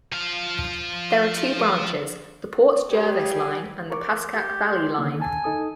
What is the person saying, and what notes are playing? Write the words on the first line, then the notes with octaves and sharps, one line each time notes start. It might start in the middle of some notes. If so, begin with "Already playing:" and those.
There are two branches: the Port Jervis Line and the Pascack Valley Line.
F3 F5
G3 G4 G#4
A#4 C#6 D6
G4
C6
D3 D#3 A#3
G#5 A5
D#4 A4 D#6